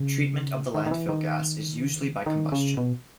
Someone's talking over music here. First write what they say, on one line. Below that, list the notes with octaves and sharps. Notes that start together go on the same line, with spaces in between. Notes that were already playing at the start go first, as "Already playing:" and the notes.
Treatment of the landfill gas is usually by combustion.
Already playing: C#3
D#3
D#3
E3
D#3
D#3
C#3
B2